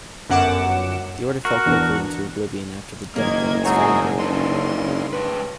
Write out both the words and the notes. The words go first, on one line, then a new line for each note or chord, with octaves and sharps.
The order fell quickly into oblivion after the death of its founder.
G1 F#2 F#5 D6 E7
F#4 A#4
E2 D4
F#1 D#3 A#3 D#5 G#6
B2 G#3 D#4 F#4 G#4 C#5
G2 C#3 D4 D#4 C6
G#2 B4